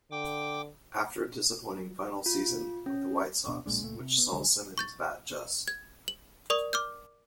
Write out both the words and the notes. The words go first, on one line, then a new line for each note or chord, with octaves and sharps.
After a disappointing final season with the White Sox which saw Simmons bat just.
D3 G5 D6
F4
C#4
D1 B2 D4
B1 A#2 G#3 D4
C#2 A#2 A3
C3
B3
C2 D3 F#3 G#3
C#6 G6 A6
G#6
F#7
A#4 D5 C#6 D#6
D6 F6 G6